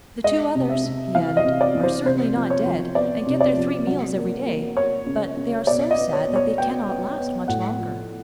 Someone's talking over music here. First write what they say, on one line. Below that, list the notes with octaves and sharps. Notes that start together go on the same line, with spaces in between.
'The two others,' he added, 'are certainly not dead, and get their three meals every day, but they are so sad that they cannot last much longer.'
G#3 D#5
C3
E5
C3
E3 F5
D#5
C3
D5
E3
C5
C3 C5
F3
C#5
F3
B3 D5
C3
D5
F3
F#3
A#3
A#3
A#3 C#5
C#3
C#3
B2 D5
D#5
B3
C#5
B2
C#5
B3 G5
B3
B3
A2 F#5
F3